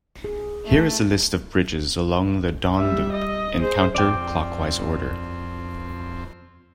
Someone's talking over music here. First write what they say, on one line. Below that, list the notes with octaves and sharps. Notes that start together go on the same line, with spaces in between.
Here is a list of bridges along the Don Loop in counter-clockwise order.
G#4
A3
G3 E5
D#5
G#4 C5
F2 C4 D5 G5